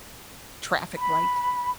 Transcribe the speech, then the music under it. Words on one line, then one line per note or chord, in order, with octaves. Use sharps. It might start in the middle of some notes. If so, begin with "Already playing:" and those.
traffic light?
B5